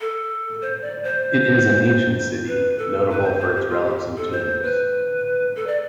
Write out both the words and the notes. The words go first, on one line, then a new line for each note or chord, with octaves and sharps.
It is an ancient city, notable for its relics and tombs.
A4
C5
D5
C5
B4
A4
B4
C5
C5
G4
F4
G4
A4
C5
B4
A4
D5